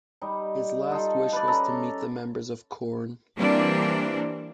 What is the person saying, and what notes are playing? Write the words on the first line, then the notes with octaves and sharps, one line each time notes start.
His last wish was to meet the members of Korn.
G3 D#4
D#4 F4 A4
B4 D5
C#4 A4 A#5
E3 G3 A#3 C4 D4